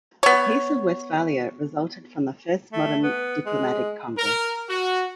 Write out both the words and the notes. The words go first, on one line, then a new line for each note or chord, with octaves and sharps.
The Peace of Westphalia resulted from the first modern diplomatic congress.
B3 C#5
A3
B3
G#3
A#4
F#4